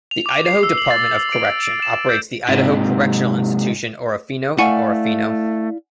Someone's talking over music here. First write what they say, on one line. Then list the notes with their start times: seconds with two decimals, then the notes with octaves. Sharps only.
The Idaho Department of Correction operates the Idaho Correctional Institution-Orofino in Orofino.
0.11 F7
0.26 D6
0.46 C7
0.63 E6
0.78 F#7
0.91 A6
1.32 D7
1.63 D7
1.82 E7
2.09 G6
2.49 G#2 C3
4.59 A3 E4 D5 F5 F#5 G#5 C#6